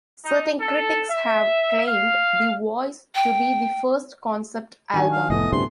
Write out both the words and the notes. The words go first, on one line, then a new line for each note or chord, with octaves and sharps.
Certain critics have claimed "The Voice" to be the first concept album.
D#4
A4
E5
F5
G5
D#3 D4 F#4 G#5
F5
F1 A2 A3 B3 D#5
D2 G2 C3 C6